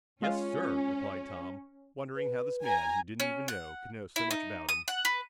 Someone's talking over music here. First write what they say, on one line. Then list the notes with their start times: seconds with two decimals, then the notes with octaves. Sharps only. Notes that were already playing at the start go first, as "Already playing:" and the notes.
"Yes, sir," replied Tom, wondering how this man he didn't even know could know so much about him.
0.22 G#3 C#4 F4
2.16 B4
2.64 G#5 A#5
3.20 C#4
3.48 F#5
4.16 E4
4.31 D#4
4.69 D#6
4.88 F#5
5.05 B4